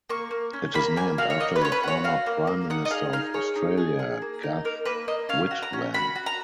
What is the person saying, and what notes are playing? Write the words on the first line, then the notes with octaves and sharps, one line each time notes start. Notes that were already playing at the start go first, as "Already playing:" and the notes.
It is named after the former Prime Minister of Australia, Gough Whitlam.
A#3 C#6
A#3
C#4
A#3 B5
A#3 G#5
F#4 F5
C#5
A#3 D#5
B4
C#4 C#5
B4
F#4 C#5
F#4 F5
A#3
A#3
D#4 F#5
D#5
G#4 F5
D#4 F5
G#4 C#5
D#4
G#4
G#4
A#3
D#4
A#3 A#4
A#3 B4
A#3 D#5
C#4 F5
F#4
A#5
C#4
F#4 B5
F#4
A#5